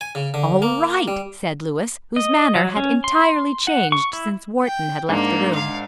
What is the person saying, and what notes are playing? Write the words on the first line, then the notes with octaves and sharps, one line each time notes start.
"All right!" said Louis, whose manner had entirely changed since Wharton had left the room.
G#5
C#3
D3
A#3
G3
D#5
F#3
C#4
C6
F#5
C#6
E4
G5
G#2 A#3 D4
F5